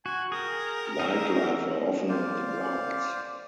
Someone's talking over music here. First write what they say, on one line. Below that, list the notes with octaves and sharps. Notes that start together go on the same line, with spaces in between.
Wildlife are often on the grounds.
F#4 G#5
G#4 A#4 G5
D#4 G#4 E5
C5 D5 F5